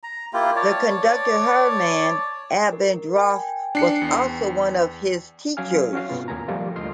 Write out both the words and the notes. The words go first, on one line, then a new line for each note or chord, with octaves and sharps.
The conductor Hermann Abendroth was also one of his teachers.
A#5
A#3 E4 F4 G4
C#5 D5 A5
A#4
G5 G#5
D4 C7 C#7
E2
F#3 C#4 F5 G#5 F6
C#4 F#4 F5
G#2 C3 A#3 B3 F4
D#2 A2 A#3 G#5 A#5
F3 G3 A3 A#3 F4
D2 F4 D#5 C6 F6